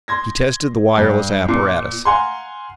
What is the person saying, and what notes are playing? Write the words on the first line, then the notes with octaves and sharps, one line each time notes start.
He tested the wireless apparatus.
C6 G#6 A#6
G2
A#2
F5 F#5 G#5 A#5 C6